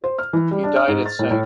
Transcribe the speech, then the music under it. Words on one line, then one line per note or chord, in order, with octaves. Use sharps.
He died at St.
C5
F6
E3
G3
D4
F6
G#2
A6
A2
A2